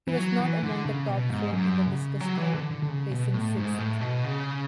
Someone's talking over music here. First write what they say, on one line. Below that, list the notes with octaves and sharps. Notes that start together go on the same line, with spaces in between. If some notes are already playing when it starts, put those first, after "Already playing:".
He was not among the top four in the discus throw, placing sixth.
E3
F#3
E3
D3
C#3
B2
G#2
F#2
C#3
F#3
E3
D3
D3
D3
C#3
B2
A2
G#2
A2
B2
C#3